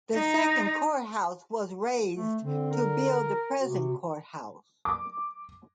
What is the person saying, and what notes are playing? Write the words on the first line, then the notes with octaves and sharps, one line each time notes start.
The second courthouse was razed to build the present courthouse.
D#4
A3
D3 C4
A#4
C3 F#4
D6